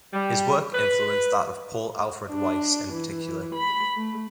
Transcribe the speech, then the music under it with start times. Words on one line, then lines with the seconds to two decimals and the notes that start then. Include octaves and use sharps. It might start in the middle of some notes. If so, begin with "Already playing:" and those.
His work influenced that of Paul Alfred Weiss in particular.
0.13 G3
0.73 B4
2.29 D4
2.93 E3
3.55 B5
3.97 A3